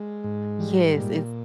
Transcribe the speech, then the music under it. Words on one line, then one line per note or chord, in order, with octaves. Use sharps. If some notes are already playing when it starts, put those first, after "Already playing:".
Yes, it's
Already playing: G#3
G#2
G3
A#2